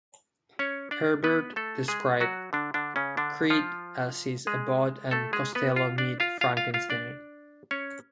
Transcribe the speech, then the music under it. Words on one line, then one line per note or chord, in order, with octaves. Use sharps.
Herbert described "Creed" as his "Abbott and Costello Meet Frankenstein".
C#4 C#5
D4 D5
B3 B4
A3 A4
G#3 G#4
F#3 F#4
D3 D4
D3 D4
C#3 C#4
D3 D4
F3 F4
G#3 G#4
A3 A4
G#3 G#4
B3 B4
F4 F5
D4 D5
F4 F5
F4 F5
F4 F5
F4 F5
D4 D5
C#4 C#5